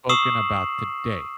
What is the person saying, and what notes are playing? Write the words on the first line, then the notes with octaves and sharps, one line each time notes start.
spoken about today,
C#6 D#6 E6 C7 E7 F#7